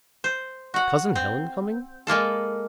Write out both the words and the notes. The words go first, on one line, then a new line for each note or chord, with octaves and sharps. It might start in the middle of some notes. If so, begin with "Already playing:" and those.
Cousin Helen coming!
C5
F#4 F#5
C4
G#3 A#3 F4 A4